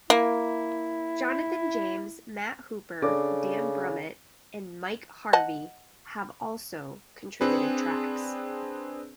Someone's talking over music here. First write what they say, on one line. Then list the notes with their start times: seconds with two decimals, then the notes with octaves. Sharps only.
Jonathan James, Matt Hooper, Dan Brummitt and Mike Harvie have also contributed tracks.
0.10 A#3 E4
3.02 C#3 D4 A4 D6
5.33 D#5 F#5 A5
7.41 C4 D4 G#4 B4